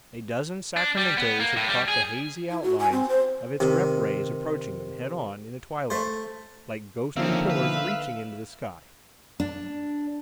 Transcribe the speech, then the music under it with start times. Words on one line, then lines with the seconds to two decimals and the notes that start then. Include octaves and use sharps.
A dozen Sacramentos had caught the hazy outlines of its rep rays approaching them, head-on, in the twilight, like ghostly pillars reaching into the sky.
0.77 D4
0.98 G3
1.17 B3
1.40 A#3
1.57 A2
1.68 G3
1.88 G#4
2.50 E4
2.63 F#4
2.80 G#5
2.92 C4
3.09 C5
3.60 C3 D#3
5.90 A3 C5
7.17 D3 D#3 F3 A#3 C4 C#4 E5 F5
7.50 B4
9.40 D4